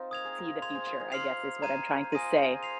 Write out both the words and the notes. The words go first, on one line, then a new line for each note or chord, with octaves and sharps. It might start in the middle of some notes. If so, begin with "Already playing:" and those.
see the future, I guess is what I'm trying to say.
Already playing: C4 D#4 F4 C5
A#4 D#6 G#6 F7
G#4
F4 A#4
C6 G#6 F7
G#4 C5
F4 A#4
D#4 G#4
C6 F6 C7 F7
A#5 G#6 D#7
C5
F4 A#4 G#5 D#6 A#6 D#7
C5
G#4 C5
C7 F7